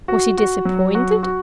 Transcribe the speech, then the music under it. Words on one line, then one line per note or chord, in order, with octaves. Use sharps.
Was he disappointed?
F#4
F#4
F#3
F#4
F#4